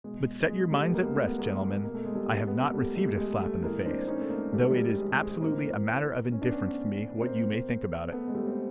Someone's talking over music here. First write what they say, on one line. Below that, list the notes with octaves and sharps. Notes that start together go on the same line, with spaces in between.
But set your minds at rest, gentlemen, I have not received a slap in the face, though it is absolutely a matter of indifference to me what you may think about it.
B2 G#3
G#3
G3 A3
B3
G#3 A#3
A#3
A3 B3
G#3 A#3
B2 A#3
A3
G#3
G3 A3
G#3
B3
A#3
G3 A3
G3 A3
G#3
G3 A3
A2 E3 G#3 A#3
C4 D4
C#4 D#4
A3
G#3 A#3
G3 A3
G3
G#3
G#3
G3
G#3
G#3
A2 E3 A#3 C4
C#4
D4
B3 C#4
B2 A#3 C4
A3 B3
G#3
G3 A3
C4